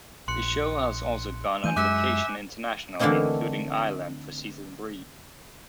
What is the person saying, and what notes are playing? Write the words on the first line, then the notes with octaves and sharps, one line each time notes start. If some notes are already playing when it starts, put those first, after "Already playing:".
The show has also gone on location internationally including Ireland for Season Thre.
A#1 C6 F#6 C#7
E3 A3 G#5 G6 D#7
F#2 G#3 E5 D6 F#6 C#7
D3 E3 A3 A#3 C4 D#4